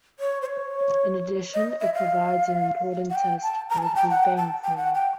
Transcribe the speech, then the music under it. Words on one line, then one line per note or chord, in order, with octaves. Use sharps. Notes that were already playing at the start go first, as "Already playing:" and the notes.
In addition, it provides an important test for the Big Bang theory.
C#5
C5
C#5
D#5
E5
F5
F#5
G5
A5
A#5
G#5
A5
G5
F#5
G5
A5
G5
F#5
G5